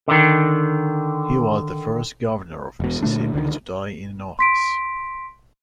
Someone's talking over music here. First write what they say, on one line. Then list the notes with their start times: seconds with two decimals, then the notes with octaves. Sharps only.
He was the first Governor of Mississippi to die in office.
0.08 D3 D#3
2.80 E1 B2
3.03 A#2 D3 A3 D4
3.33 C#2 D3 D#3
4.39 C6 B6 D7